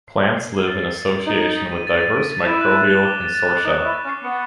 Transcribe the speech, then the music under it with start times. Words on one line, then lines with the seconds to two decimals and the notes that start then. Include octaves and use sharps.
Plants live in association with diverse microbial consortia.
0.08 C7
0.23 G#6
0.37 C7
0.53 G#6
0.67 A6
0.82 C#7
0.98 A6
1.12 F#7
1.27 D#4 G#6
1.41 G#6
1.57 B6
1.72 D#7
1.87 A6
2.01 A6
2.16 D7
2.32 A6
2.46 E4 E7
2.61 F#6
2.76 F#6
2.90 G7
3.05 D6
3.21 A6
3.35 A6
3.50 A6
3.64 D#4 F#6
3.80 E4 C#6
3.94 A6
4.05 C#4
4.09 C7
4.24 B3 C#7